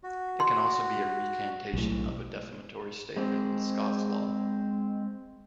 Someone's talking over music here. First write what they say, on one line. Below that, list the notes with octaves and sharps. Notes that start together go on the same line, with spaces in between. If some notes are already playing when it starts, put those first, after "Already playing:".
It can also be a recantation of a defamatory statement in Scots Law.
F#4
C6
B1 A2
G#3 C4